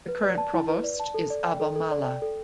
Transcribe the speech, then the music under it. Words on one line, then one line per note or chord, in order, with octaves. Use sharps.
The current provost is Abba Mala.
B4
D5
A5
E4
B4
D5
A5
A4
D5
G5
A4
A4
D5
G5
A4